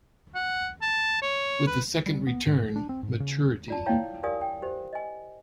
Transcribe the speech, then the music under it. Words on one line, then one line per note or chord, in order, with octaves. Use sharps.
With the second return, maturity.
F#5
A5
C#5
B4
G3
B3
G#2
D4
C4
G#2
C#3
F4 D5 A5
E4 C#5 F5 G5 A#5
G4 A#4 D5 F5 G#5 D#6
G5
G4 C5
D#5 G#5